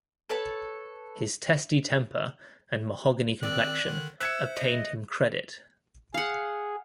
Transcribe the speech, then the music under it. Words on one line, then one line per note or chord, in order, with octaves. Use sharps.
His testy temper and mahogany complexion obtained him credit.
A4 B4 C#5 A5
D#3 C4 D5 E6 F#6
D3 D#3
C5 E5 E6 F#6 G#6 C#7
D#5
G#4 F5 F#5